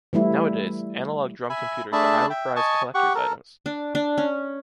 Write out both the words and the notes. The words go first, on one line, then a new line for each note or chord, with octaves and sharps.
Nowadays, analog drum computers are highly prized collector’s items.
E3 G3 A3 E4
E5 G#5 B5
A3 D4 G#4 E5 A5 B5
E5 G5
D#5 G#5 A5 C#6
G4 F#5 C#6
A4 A#4
D4
D4
C#4